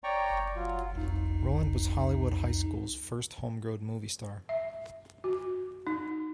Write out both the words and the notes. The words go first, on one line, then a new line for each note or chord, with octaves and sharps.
Roland was Hollywood High School's first homegrown movie star.
C#5 D5 G5 A#5 C#6
F#3 F4
C2 F2 D#4
E5
F#4
D#4